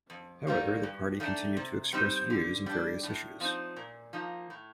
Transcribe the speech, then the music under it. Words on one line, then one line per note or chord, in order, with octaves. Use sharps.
However the party continued to express views in various issues.
F2
D#3 G3 A#3
G2
D#3 A3 D4
C3
G3 C4 D#4
D3
G3 D4
A2
F3 C4 D#4
A#2
F3 A#3 D#4
A2